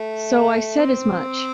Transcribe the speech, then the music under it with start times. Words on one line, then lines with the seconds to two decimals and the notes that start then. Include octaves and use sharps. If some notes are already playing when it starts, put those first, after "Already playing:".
So I said as much.
Already playing: A3
0.79 C4